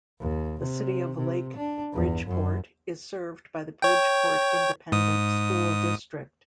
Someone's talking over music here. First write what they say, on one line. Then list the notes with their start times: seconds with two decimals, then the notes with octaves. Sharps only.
The City of Lake Bridgeport is served by the Bridgeport Independent School District.
0.20 D#2
0.60 C3
1.17 C3
1.56 D4
1.93 G1 E2
2.26 F#2
3.82 C#5 G5
4.92 G#2 D#6